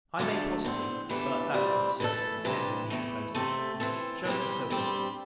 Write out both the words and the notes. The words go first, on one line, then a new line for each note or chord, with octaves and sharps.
I may possibly, but that is not certain, send in the inclosed letter. Shew it to Sir William.
D2 D3 A3 D4 A4
E2 D3 C4
E2 E3 A3 D4 G4
E3 G3 C4
E3 A3 E4 A4
C3 E3 G3 D4 G4
E2 E3 A3
C3 A3 C4 A4
E3 C4 A4
E3 G3 C4 G4
G2 G3 C4 G4